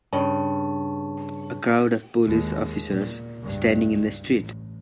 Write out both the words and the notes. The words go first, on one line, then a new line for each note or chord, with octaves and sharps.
A crowd of police officers standing in the street.
G2 C#3 A5
D#2 G#3
A#2
C#2 G2
A1